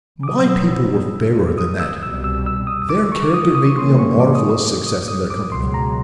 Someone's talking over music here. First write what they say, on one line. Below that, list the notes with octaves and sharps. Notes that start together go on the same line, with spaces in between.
My people were fairer than that--their character made me a marvelous success in their company.
D6
B2 F#3 B3 D#6
E6
D#6
E6
C2 B2 G3 E6
E6
E6
D#6
D#6
D6
D6
C#6
D6
D#6
D#6
D#6
C#6
C3 E3 G3 A#3 C#4 C6
C#6
D6
D#6
D#6
D6
D#6
D#6
D6
C#2 B2 F#3 C6
A#5